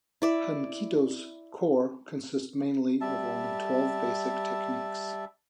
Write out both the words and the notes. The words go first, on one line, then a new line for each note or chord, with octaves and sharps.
Hankido's core consists of only twelve basic techniques.
E4 D5 E5
G3 E5 A5